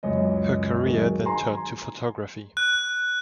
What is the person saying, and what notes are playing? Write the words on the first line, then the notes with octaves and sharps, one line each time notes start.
Her career then turned to photography.
C#2 F#2 C#5 D#5
D#3 F#3 G#3
G#5 A#5 C6
F#6